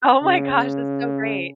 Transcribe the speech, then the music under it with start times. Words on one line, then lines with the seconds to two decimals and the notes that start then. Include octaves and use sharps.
Oh my gosh. That's so great.
0.24 C#3